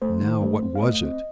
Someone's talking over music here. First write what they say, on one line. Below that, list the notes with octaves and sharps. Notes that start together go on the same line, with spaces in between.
"Now, what was it?"
A3 C5
D#3
A3
C4
F5
A3 D#5
C4